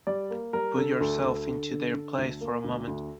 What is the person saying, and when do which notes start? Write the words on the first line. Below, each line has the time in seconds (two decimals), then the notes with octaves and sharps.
Put yourself into their place for a moment.
0.07 G3 D5
0.30 A#3
0.53 G3 A#4
0.77 D3 A4
1.01 D2 A4
1.24 D2
1.47 D3
1.70 D3
1.94 D3
2.18 D2
2.41 A#3
2.64 D2
2.87 D2